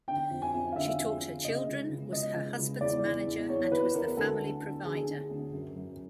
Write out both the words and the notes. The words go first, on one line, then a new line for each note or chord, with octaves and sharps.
She taught her children, was her husband's manager, and was the family provider.
D3 G5
F2
G#5
F2
F5
D3 E5
F2
D3
C#3 D#5
C#2
C#2
C#2 D#5
C#2
C#2
E2 D5
E2
E2
E2 C#5
E2 B4
E2 A#4
D2 A4
D3
D3
D3 G#4
D3
D2
F#2
F#2